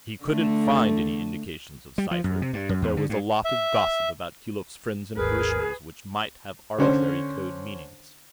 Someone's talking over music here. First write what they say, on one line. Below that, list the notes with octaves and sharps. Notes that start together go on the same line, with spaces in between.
He couldn't find any indications of cipher, but there was a lot of gossip about Keeluk's friends and parishioners which might have arbitrary code-meanings.
D3 A3
G3
F3
F#2
C3
G2
F#2
E2
D3
G2
E5
G#1 D#2 G#2 G#4 A#4 B4
D3 C#4 C5 C#5